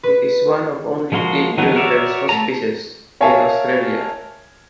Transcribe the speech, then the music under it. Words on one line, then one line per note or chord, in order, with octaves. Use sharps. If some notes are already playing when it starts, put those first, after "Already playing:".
It is one of only three children’s hospices in Australia.
B4
F3 G#3 A#3 F#4 C6
D#3 F3 F#3 B3 D#4
F#4 A#4 C#5 D5 E5
A3 A4 A#5
A#4 C#5 E5 F5 G#5 A5